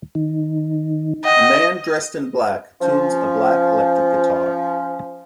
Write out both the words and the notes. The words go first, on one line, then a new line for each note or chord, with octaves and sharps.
A man dressed in black tunes a black electric guitar.
D#3 D#4
D#5 F#5 G5
F3 C#4